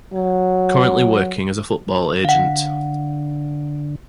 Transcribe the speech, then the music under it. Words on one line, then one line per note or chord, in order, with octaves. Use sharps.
Currently working as a football agent.
F#3
D3 F5 F#5